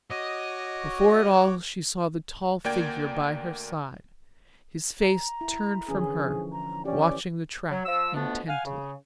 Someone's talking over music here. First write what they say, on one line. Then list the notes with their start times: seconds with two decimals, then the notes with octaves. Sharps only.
Before it all she saw the tall figure by her side, his face turned from her, watching the track intently.
0.10 F#4 C#5 D#5 D6
2.64 D2 A#3 D5 G5 G#6
5.01 A#5
5.41 E4
5.88 D3 E3 C#4 G#4
6.20 F3
6.52 A#5
6.85 E3 C#4 G4 D5
7.71 F#3
7.86 F3 E6
8.14 F2 B2 A3 B3 D4
8.47 F5 F#5 G#5
8.64 C#3